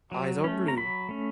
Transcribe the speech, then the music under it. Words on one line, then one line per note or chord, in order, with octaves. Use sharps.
Eyes are blue.
F#3
A3 C#4
A#5
F#3 B5
A3 C#4